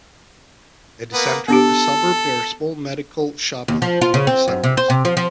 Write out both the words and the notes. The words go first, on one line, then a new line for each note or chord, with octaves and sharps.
At the centre of the suburb there are small medical, shopping and community centres.
A#3 B3
B3 D4 G4 A4
D#2
F3
F4
C#3
C4
F#2
C3
C5
C3
F3
F3